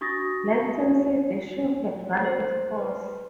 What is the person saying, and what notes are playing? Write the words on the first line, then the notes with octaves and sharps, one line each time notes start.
Lifetime said the show had run its course.
D4 F#4 C#6 D#6 A6 A#6
C7
C5
B4